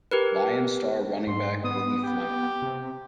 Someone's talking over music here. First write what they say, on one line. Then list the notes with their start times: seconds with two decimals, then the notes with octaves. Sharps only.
Lions star running back Willie Fleming.
0.11 G4 A#4 B4
1.27 G#2 C6
1.64 B3 D#6
2.03 G4
2.62 C3